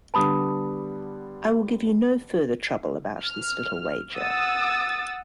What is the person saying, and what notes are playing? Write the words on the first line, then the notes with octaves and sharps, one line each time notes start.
I will give you no further trouble about this little wager.
D3 G3 B3 A5 B5 D#6
F6
F#5 D#6 E6 A6